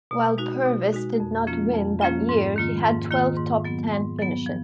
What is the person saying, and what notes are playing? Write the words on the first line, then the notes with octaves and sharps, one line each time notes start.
While Purvis did not win that year, he had twelve top-ten finishes.
B2
G#3 D#4 F#4
B2
G#3 D#4 F#4
F2
F3 A#3 C#4 F4
F2
F3 A#3 C#4 F4
G#2
D#3 A#3 F4
G#2
D#3 A#3 F4
G#2
F#3 B3
G#2
F#3 B3
F3